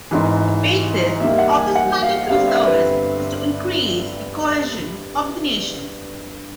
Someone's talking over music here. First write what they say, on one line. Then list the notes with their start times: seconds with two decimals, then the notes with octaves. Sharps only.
The basis of this mandatory service is to "increase the cohesion of the nation".
0.11 G#1 G#2 E3
1.20 D#2 D#3 G3 A#3 E5
1.38 F#5
1.57 G#5
1.75 F#5
2.03 F5
2.29 G1 G2 D3 G3 C4 F5
2.48 E5
2.66 B4